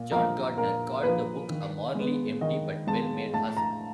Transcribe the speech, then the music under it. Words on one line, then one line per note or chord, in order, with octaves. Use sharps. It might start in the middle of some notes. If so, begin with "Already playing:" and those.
John Gardner called the book a morally "empty but well-made husk".
Already playing: A#2
F3 A#3 A#4
A#2 A#4
F3 A#3 B4
D#3
G#3
B3
D#3 D#5
G#3 B3 A5
A2 A5
A#5